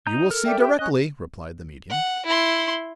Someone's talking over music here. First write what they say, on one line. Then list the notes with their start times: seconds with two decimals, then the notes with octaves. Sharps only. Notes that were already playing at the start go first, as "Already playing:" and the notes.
"You will see, directly," replied the medium.
0.07 D#4 A#5 G6
0.31 A4 A#4 F6
0.46 D5 E5 G5
0.59 G4 E5 G5
0.79 C#4 D#5 D#6 F#6
1.90 F#5
2.26 E4 C6